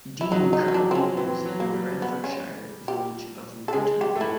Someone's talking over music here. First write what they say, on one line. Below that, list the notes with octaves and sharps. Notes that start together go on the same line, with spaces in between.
Dean currently lives in the Bedfordshire village of Wootton.
E4
F#3 D#4
D#4
F#3
D#4
D4
F3 C4
C#4
E3 C4
F#3
A#3
G3
B3
C#4
G4
A4
G#3 G#4
G4
A3
E4